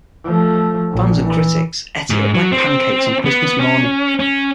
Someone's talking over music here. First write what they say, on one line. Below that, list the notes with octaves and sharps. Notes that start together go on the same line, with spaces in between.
Fans and critics ate it up like pancakes on Christmas morning.
F3 A3
A#1
E3
G#2
F#3
C4
B3
C#4
C#4